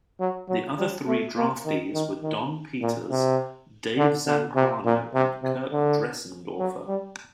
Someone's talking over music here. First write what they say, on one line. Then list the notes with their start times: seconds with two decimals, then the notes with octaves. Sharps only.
The other three draftees were Don Peters, Dave Zancanaro and Kirk Dressendorfer.
0.20 F#3
0.49 F#3
0.79 G3
1.07 A3
1.37 A#3
1.66 D#3
1.94 D#3
2.23 D#3
2.82 A#2
3.10 C3
3.98 D3
4.27 D3
4.56 C3
4.85 A#2
5.14 C3
5.43 C3
5.72 D3
6.59 F#3
6.88 G3